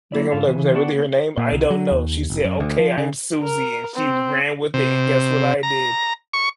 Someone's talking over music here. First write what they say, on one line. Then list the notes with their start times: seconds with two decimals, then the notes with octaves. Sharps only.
They gonna be like, "Was that really her name?" "I don't know. She said, 'Okay, I'm Suzie', and she ran with it, and guess what I did?"
0.12 F#3 A#3 E4 D5
0.32 G#2 C#4 F4 A4 F5
0.47 C#3 E3
0.74 B3 D4 F#4 D5 F#5 G5
0.93 A#3 B3
1.38 A#2
1.52 C2
1.70 F#3
1.91 D#2
2.30 F1
2.45 F#2
2.60 D2
2.79 F3
2.98 C#3
3.42 A#4
3.96 C4
4.74 C3
5.63 A#5
6.33 C#6